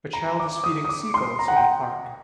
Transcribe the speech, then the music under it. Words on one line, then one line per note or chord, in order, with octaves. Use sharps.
A child is feeding seagulls in a park.
A#5
D6
D#6
D#6
D6
C6
A#5
F#5
G5